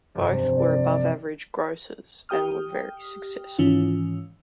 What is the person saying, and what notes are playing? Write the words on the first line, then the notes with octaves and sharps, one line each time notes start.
Both were above-average grossers and very successful.
F1 G2
C3
D5
G4 G5 D#6 F6
G#2 D#3 E3 C#4 F4